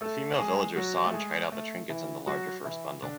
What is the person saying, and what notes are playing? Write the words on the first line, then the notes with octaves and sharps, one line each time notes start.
The female villagers saw and tried out the trinkets in the larger first bundle.
A3 A4
G#3 G#4
F#3 F#4
A3
G#3
A3
E3 E4
F#3 F#4
E3 E4
D3 D4